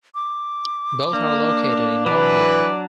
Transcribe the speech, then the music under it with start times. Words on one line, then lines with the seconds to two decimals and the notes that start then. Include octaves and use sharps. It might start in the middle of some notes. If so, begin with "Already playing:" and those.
Both are located in Boonville.
0.15 D6
1.13 A#3 D4
2.06 E3 F#3 D4 B4 D5